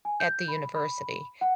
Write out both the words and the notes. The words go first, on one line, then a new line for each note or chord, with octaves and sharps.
at the university,
G#5
G6
B5
B5
F#5